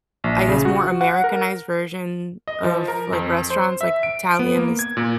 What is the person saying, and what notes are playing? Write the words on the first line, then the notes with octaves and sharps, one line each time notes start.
I guess, more Americanized version of, like, restaurants? Like, the Italian is
A#1
C#3
F#4
F#5
A#4
D#5
F3
A#4
F2
C5
E5
D7
B3
A#3
G#6
A#2